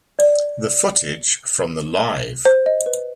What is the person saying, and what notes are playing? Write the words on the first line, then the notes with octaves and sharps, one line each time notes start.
The footage from the Live!
D5
C5
D#5
B4